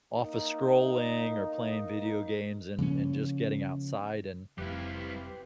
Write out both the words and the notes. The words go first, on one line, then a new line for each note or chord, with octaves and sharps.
office scrolling or playing video games and and just getting outside, and,
A#3 D#4
C#3 F3 A#3 C#4
F1 C3 G3 E4 G4 B4 F5